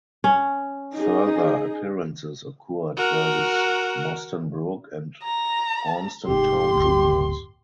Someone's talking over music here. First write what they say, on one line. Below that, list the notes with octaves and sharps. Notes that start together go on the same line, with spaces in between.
Further appearances occurred versus Moston Brook and Urmston Town Juniors.
C#4
D#4 G#4
F#4 A#4
A#5
F1 G#2 G4 C6
D1 G1